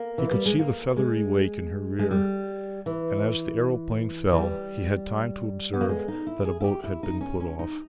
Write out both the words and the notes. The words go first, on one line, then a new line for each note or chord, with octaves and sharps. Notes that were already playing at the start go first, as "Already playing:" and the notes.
He could see the feathery wake in her rear, and as the aeroplane fell he had time to observe that a boat had been put off.
Already playing: A#3
E3
G3
G#3
A#3
G#3
G#3
G3
E3
E3
G3
B3
A#3
G#3
D#4
E4
G#4
E4
G4
E4
D#4
C#4
C#4
D#4